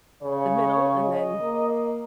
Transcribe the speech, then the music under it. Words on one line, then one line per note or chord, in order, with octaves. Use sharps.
the middle and then
C#3 C#5
D#5
A#3